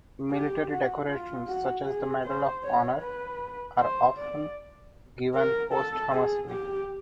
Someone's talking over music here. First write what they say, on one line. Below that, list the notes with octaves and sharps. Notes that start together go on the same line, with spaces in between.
Military decorations, such as the Medal of Honor, are often given posthumously.
G4
F#4
F4
F#4
G#4
C5
C#5
B4
C5
D5
A#4
A4
G#4
G4